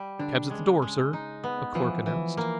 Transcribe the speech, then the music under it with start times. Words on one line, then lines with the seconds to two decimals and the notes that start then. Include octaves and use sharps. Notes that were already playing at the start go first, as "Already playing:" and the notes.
"Cab's at the door, sir," a clerk announced.
Already playing: G3 G4
0.19 D3 D4
0.50 C#3 G#3
0.82 G#3
1.13 D#4
1.44 B3
1.75 E3 F3
2.06 E3
2.37 A#3